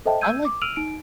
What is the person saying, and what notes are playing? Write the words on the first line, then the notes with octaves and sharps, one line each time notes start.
I like
A4 C5 D#5 E5 G5 A5
E6 G6 G#6 D#7
D6
E6 F6 D7 D#7 F7 F#7
D#4 D7